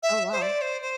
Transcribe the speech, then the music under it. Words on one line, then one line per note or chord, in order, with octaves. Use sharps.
Oh, wow.
E5
C5
D5
C5
C5